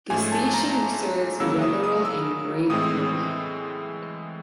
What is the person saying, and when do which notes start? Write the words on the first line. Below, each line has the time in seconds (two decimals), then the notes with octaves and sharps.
The station serves Wetheral and Great Corby.
0.10 G#2 F3 A3 C#4 G#5
0.32 A5
0.54 A#5
1.40 C#3 F#3 A#3 C#4 E6
1.62 D#6
1.84 D#6
2.05 E6
2.70 A2 E3 G#3 C4 D#6